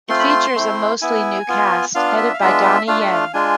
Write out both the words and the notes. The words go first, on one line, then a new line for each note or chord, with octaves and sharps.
It features a mostly new cast, headed by Donnie Yen.
A3 C4 F4 C6
B5
C6
A3 C4 E4
B3 E4 G#5
B3 F4
B3 D4 F4 F5
E5
F5
G#3 B3 D4 F4 E5
A3 D4 F4 F5
E5
F5
G#3 D4 F4 G#5